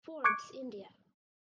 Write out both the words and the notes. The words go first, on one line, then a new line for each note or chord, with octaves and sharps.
Forbes India.
C#6 D6 F#6 G#6 C#7 D7